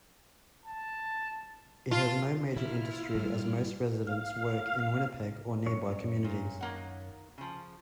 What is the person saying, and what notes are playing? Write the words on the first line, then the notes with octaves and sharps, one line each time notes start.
It has no major industry as most residents work in Winnipeg or nearby communities.
A5
F4 A5
C3 E3 A#3 E4 F4 F6
G2 B2 G3 A#3
F5
F#2 C#5
A#2
D#3 A#3 F#5
C#3 F3